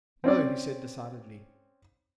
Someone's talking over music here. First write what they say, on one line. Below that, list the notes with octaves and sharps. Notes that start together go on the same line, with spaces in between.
'No,' he said decidedly.
C4 C#4 D5